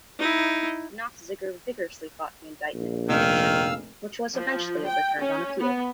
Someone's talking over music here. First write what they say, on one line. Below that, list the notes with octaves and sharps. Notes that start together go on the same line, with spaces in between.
Nofziger vigorously fought the indictment and conviction, which was eventually overturned on appeal.
D#4 E4
A#1
F1 D#3 F5 E6
F3
G5
C#4
B3